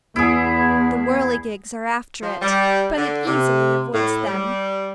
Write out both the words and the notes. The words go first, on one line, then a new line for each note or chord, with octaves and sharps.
The whirligigs are after it, but it easily avoids them.
E2 B3 E4 G#4
F3
G3
D3
C3
A2
G3